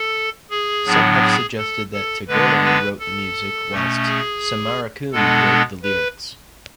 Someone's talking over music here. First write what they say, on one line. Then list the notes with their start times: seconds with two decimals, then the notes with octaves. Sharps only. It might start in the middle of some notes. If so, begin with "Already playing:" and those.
Some have suggested that Tagore wrote the music whilst Samarakoon wrote the lyrics.
Already playing: A4
0.50 G#4
0.86 A2 F#3 B3 D4
1.21 G#4
1.57 A4
1.93 A4
2.28 D3 G#3 B3 D4 B4
2.64 B4
2.99 A4
3.71 B2 A3 C#4
4.05 G#4
5.12 B2 G#3 B3 D4 A4
5.83 B4